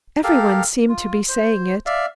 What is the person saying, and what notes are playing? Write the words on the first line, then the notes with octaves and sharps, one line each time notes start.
Everyone seemed to be saying it.
G4 A4 A#4 F5
F4
C5
D5 E5 F5